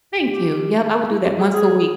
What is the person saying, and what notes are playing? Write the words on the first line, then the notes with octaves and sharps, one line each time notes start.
Thank you, yep, I would do that once a week.
G4
E4
G4
G#4
G4
G#4